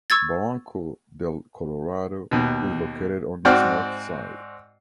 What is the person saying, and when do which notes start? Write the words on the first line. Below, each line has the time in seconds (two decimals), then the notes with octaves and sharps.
Barranco del Colorado is located on its north side.
0.10 C#6 E6 G#6 A6
2.31 D#2 B2
3.45 G#2 C4 F#4 D5 G5 F6